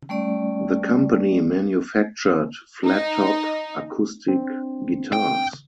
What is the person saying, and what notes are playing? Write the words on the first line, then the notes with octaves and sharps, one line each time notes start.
The company manufactured flattop acoustic guitars.
G3 A3 C#4 D5
D#4
C4 D4
G5